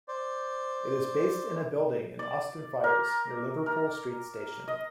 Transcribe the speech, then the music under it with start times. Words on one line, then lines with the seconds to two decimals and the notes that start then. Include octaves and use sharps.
It is based in a building in Austin Friars, near Liverpool Street station.
0.08 C5 D5
2.19 D5
2.84 A#4
3.66 A#4
4.68 D#5